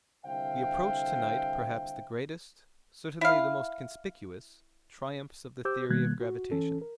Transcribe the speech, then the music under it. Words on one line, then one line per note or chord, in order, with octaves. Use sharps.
We approach to-night perhaps the greatest, certainly the most conspicuous, triumphs of the theory of gravitation.
C2 D3 C5 E5 F5 G5
E4 F5
G4 C5 D6 E6 G6
B2 D#3 G3 A#3 F#6 G#6
F#4
E3 C#4 A4
A#4